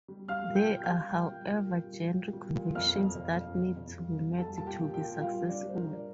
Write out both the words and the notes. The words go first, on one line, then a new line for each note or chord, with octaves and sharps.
There are, however, genre conventions that need to be met to be successful.
G3
G3 F5 F6
A#2
G5 G6
G3
F5 F6
G3
A#2 G5 G6
G3
A#2
G3
A#2
A#2
G3
A#2
F2 F5 F6
F2
F2
F2
F2
F2
G3
F2
G3 A4 A5
A#2 A5
G4 G5
A#2
G4 G5
A#2
G3 F4 F5
G3
D4 D5
G3
C5
A#4
A#2
D5